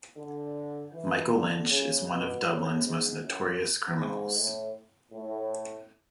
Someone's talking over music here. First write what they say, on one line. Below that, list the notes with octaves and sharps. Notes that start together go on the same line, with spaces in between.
Michael Lynch is one of Dublin's most notorious criminals.
D3
E3
D3
C#3
B2
A2
G#2
F#2
G#2
A2
A2